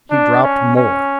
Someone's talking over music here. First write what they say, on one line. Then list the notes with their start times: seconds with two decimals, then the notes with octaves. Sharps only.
He dropped more.
0.11 D4
0.43 C#4
0.76 C#4